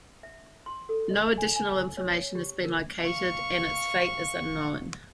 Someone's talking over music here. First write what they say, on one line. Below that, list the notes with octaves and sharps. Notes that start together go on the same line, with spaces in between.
No additional information has been located, and its fate is unknown.
E5
C6
A4
D#5
G#5
G#5
C#5
G4
A#4
F5 C#6